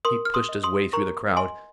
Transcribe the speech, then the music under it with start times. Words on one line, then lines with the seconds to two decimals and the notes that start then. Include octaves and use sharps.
He pushed his way through the crowd.
0.05 A#4 C6 D#6
0.25 F6
0.34 C6 D#6
0.49 D#5
0.63 C6 D#6
0.93 A#4 A#5 C#6
1.37 D#5 G#5 C6